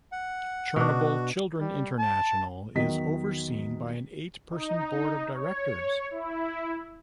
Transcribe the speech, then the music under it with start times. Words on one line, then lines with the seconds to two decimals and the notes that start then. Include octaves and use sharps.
Chernobyl Children International is overseen by an eight-person board of directors.
0.12 F#5
0.76 B2 D4 F#4
1.59 G3
1.98 A5
2.75 E2 D#3 F#3 D#5 B6
4.51 D#4
5.34 C#5
6.11 E4